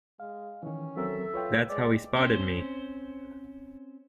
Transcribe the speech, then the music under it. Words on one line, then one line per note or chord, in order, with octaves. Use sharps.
That's how he spotted me.
G#3 F5
D#3 E3 C#4
F#3 C4 A4 A#4 E5
F4 B4 C#5 G5
G#3 D5
C4 C#4 C5